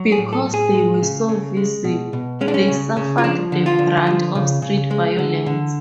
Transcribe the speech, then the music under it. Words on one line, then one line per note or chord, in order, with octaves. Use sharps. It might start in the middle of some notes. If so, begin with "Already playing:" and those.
Because they were so visible, they suffered the brunt of street violence.
Already playing: F#3
G#4
A2
A4
A2
G#4
G#3
C#3
C#3
G#3
B2
B2
G#3 C#4
D4
C#4
C#3
C#3
F4
F3 D4
D3
F4
D3
F3
C#3
C#3
G#3
D3
D3